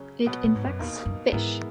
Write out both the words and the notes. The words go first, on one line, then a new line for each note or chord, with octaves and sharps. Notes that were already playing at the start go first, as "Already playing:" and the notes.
It infects fish.
Already playing: C#3 F#3 C#4
B2 F#3 B3 F#4 B4
A#2
G#2
F#2
E2 B2 A#3 D#4
F#2
G#2 E3 G#3 B3 E4 A#4